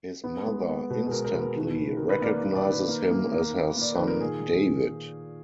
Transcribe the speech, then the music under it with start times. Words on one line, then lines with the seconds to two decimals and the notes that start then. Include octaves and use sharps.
His mother instantly recognizes him as her son David.
0.24 B3
0.46 G#3
0.68 B3
0.90 B2 B4
1.07 G#4
1.11 G#3 A#4
1.24 A#4
1.33 B2 B4
1.56 D#3
1.78 D#3
1.97 D#3 A#4
2.09 B4
2.22 A#3 D5
2.44 A#3
2.55 D5
2.66 D#3
2.72 B4
2.88 A#3
3.11 A#3
3.32 A#3
3.54 A#3
3.77 A#3 D5
3.95 D#3 B4
4.08 A#4
4.20 A#2 G#4